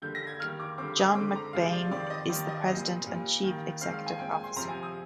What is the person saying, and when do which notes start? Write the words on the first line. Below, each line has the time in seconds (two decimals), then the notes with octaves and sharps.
John McBain is the President and Chief Executive Officer.
0.02 D3 G3 A#3 G6
0.15 A#6
0.27 G#6
0.39 D#3 G3 A#3 F6
0.60 D6
0.78 D3 G3 C4 D6
0.97 D#6
1.15 D3 G#3 C4 D6
1.35 A#5
1.53 C3 F3 G#3 C4 F5
1.73 D5
1.91 D#3 G3 C4 D5
2.10 D#5
2.29 D#3 G3 A#3 D5
2.48 D#5
2.67 A#2 G3 C4 D#5
3.06 A#2 G3 A#3
3.43 D#3 G3 A#3
3.81 D#3 G#3 C4 F5
3.93 F5
4.06 G#5
4.19 A#2 G#3 C4 G5
4.31 G#5
4.44 C6
4.56 C3 F3 C4 A#5
4.69 G#5
4.83 D#6